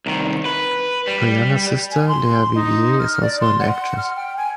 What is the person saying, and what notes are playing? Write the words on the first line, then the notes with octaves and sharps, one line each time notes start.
Her younger sister Lea Vivier is also an actress.
C2 D#3
B4
G3
G#5
C6
D#4
F6
D5
C6
F#5
F6
G5
G#5